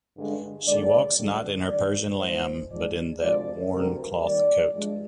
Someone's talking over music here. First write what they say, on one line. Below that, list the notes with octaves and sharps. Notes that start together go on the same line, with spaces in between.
She walks not in her Persian lamb, but in that worn cloth coat.
G2 D3 G#3
D#2 D3 G#3 D5
D2 D3 G3
G2 D#3 G3 D5
G#2 F3 G#3 C5
G#2 F3 G#3 D5
D2 C3 F3 G#3 D5
D2 C3 G3 A#4
D#2 D#3 G3 D5
G2 F3 G#3